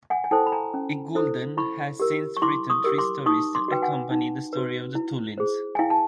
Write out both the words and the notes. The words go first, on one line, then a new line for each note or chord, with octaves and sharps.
Iggulden has since written three stories to accompany the story of the Tollins.
F#5 G#5
G#5
E4 A4 C5 G5 A5
B5
G#5 A#5
C#4
E4 A4 C5
E4 B5 C#6
G4 A#4
C#6
E4 C6 D6
C#6 D#6
G4 A#4
C6 D6
D#4 C#6 D#6
C6 D6
F#4 B4 G5
F#5 G#5
D#4
F#4 B4
E4
G#4 C5
G#5
E4 F5 G5
A5